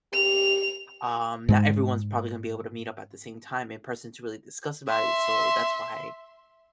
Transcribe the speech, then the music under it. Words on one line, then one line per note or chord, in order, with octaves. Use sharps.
Um, not everyone's probably gonna be able to meet up at the same time in person to really discuss about it, so that's why
G4 F7
G#2 G#3
E5 C6